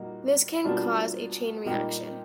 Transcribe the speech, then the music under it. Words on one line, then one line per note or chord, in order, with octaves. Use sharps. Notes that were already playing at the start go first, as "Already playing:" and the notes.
This can cause a chain reaction.
Already playing: A#2 G3 A#3 D#4 F#4
B2 G3 A#3 D4 F4
A#2 G3 A#3 D#4 G4